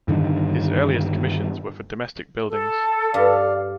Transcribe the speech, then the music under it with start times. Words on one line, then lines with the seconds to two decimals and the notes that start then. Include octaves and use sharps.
His earliest commissions were for domestic buildings.
0.08 G2 D3 D#3
2.48 A4
3.14 G2 D5 F5